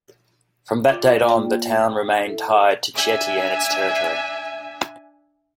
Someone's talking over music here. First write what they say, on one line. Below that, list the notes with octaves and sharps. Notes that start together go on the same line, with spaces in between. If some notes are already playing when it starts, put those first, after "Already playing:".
From that date on, the town remained tied to Chieti and its territory.
F4 D5 G5 D6
A#3 F4 D5 G5
G5 D6
E4 A4 E5
D4 E5 G#5